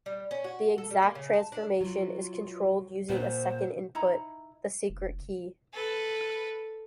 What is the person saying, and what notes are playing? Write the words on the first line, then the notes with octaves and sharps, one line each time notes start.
The exact transformation is controlled using a second input - the secret key.
G3
C#4
F#4
A4
G3
A#3
C#3
A5
D4
F#3 F4
A#2 B3 C5
D#4 E4 A#5 B5
F1
A4 B4